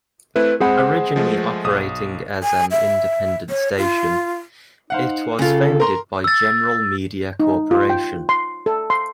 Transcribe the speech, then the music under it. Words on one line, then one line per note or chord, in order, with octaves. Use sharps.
Originally operating as an independent station, it was founded by General Media Corporation.
A3 C4 E4 B4
G#3 C4 G#4 C5 F#5 B5
F3 G#3 A3
B1 D#6
G#5
E5
C#5
F4
D#4 C5 F5 F#5
C#3 F4 A4
A#4 A#5 C6
E6 A6
D#4
F4
G5
C6
A4
C6